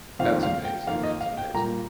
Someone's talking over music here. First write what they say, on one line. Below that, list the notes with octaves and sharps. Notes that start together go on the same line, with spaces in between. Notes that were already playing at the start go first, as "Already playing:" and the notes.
That's amazing, that's amazing.
F2 D#3 C4 F5
F5
G5
F2 D#3 A#3 F5
D#5
F5
G5
A#2 G3 A#3 A#5